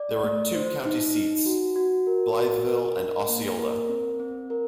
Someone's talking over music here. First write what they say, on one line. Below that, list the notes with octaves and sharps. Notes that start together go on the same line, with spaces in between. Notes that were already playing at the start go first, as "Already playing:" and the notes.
There are two county seats, Blytheville and Osceola.
Already playing: D5
A3
C5
D#4
D#4
F#4
F#4
A#4
F#4
A#4
D4
A#3
A#4
C4
C4
A#4